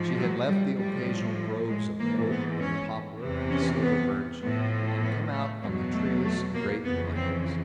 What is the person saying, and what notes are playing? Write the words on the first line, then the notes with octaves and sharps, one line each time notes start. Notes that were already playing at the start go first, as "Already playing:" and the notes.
She had left the occasional groves of oak and poplar and silver birch, and come out on the treeless Great Plains.
Already playing: G#2 F3
F#3
G3
A2 F3 G3
G#3
G#2 E3 A#3
B3
C#4
E2 C3 E3
C#4
B3
A2 F3 B3
B3
A3
E2 B2 F#3 A#3
A3
A3
A#3
F2 C#3 E3 B3
C4